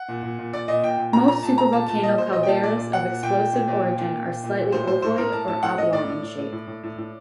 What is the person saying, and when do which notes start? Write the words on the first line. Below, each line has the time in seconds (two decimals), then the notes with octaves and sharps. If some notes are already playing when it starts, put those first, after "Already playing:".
Most supervolcano calderas of explosive origin are slightly ovoid or oblong in shape.
Already playing: F#5
0.08 A#2
0.23 A#2
0.39 A#2
0.53 A#2 D5
0.68 A#2 D#5
0.83 A#2 G5
0.98 A#2
1.13 A#2 A#5
1.28 A#2 A#5
1.43 A#2 A5
1.58 A#2 A#5
1.73 A#2 A5
1.88 A#2 A5
2.03 A#2 D#5
2.18 A#2 C5
2.33 A#2 D#5
2.43 G5
2.48 A#2 A5
2.63 A#2 D5
2.78 A#2 D5
2.93 A#2 F#5
3.08 A#2
3.23 A#2 G5
3.38 A#2
3.53 A#2
3.68 A#2
3.83 A#2
3.98 A#2
4.13 A#2
4.27 A#2
4.44 A#2
4.58 A#2
4.72 A2 C5
4.87 A2 C5
5.02 A2 C5
5.18 A2 A#4
5.33 A2 A5
5.48 A2 A5
5.63 A2 F#5
5.78 A2 D#5
5.92 A2 D5
6.08 A2
6.22 A2
6.38 A2
6.52 A2
6.67 A2
6.83 A2
6.98 A2